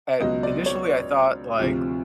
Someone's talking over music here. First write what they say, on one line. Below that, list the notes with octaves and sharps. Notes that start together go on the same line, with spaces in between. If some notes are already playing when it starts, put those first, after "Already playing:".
uh initially, I thought, like,
C#2 B2 F#3 D#5
D5
C#5
D2 C3 F3